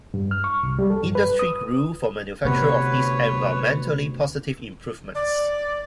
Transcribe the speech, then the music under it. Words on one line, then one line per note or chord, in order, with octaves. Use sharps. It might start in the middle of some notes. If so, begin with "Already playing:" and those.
Industry grew for manufacture of these environmentally positive improvements.
G2
F6
C#6
C2
G3
A4
G2
B4
D#6
D2 C3 B3 B4 C#5
D5